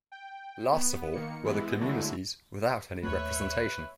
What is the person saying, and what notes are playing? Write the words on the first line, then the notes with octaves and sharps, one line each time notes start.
Last of all, were the communities without any representation.
G5
B3
D#3 A#3 C#7
E3 G#3 B3 E4
D3 F#3 G#3 A3 E4
D#2 A3 B4 C#5 E5